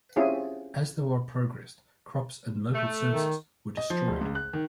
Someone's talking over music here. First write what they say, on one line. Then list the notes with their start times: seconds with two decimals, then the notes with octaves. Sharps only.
As the war progressed, crops and local services were destroyed.
0.16 C4 C#4 E4 F4 G4 G#4
2.74 A3
3.09 D#3
3.77 D#5
3.90 F3
4.08 D1
4.21 C#2
4.35 F#6
4.53 D#3